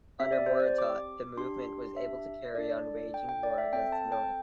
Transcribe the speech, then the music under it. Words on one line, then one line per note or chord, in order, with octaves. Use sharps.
Under Muortat, the movement was able to carry on waging war against the North.
C4 G4 E5
D5
C5
D5
D6
D4 G4 C6
E5
D4 A4 D5
G5
G5
D5
E5
C4 A4 G5
A5
G5